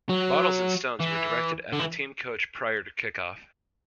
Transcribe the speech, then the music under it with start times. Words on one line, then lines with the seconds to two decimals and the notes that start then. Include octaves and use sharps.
Bottles and stones were directed at the team coach prior to kick-off.
0.09 F#3
1.00 E3
1.73 D3
1.80 E3